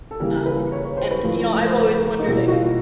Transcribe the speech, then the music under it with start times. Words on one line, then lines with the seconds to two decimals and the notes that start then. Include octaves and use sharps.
um, and you know, I've always wondered if
0.11 A4
0.20 C#3 E3 G3 A#3 A#4
0.35 A#4
0.46 B4
0.72 C#5
0.85 C#5
0.97 C5
1.11 B4
1.23 A2 F3 A3
1.66 C5
1.75 B4
2.00 A#4
2.20 D#4
2.27 B2 G3 A#3 E4
2.48 F#4
2.52 F4